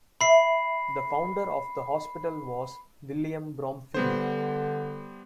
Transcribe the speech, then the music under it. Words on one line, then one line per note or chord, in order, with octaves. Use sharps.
The founder of the hospital was William Bromfeild.
E5 B5 C7
D3 G3 B3 C5